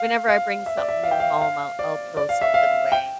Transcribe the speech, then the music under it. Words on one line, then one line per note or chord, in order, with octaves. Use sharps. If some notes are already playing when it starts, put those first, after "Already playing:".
whenever I bring something new home, I'll I'll throw something away.
Already playing: F5
F5
E5
D5
E5
F5
G5
F5
F5
D5
D5
F5
E5
F5
G5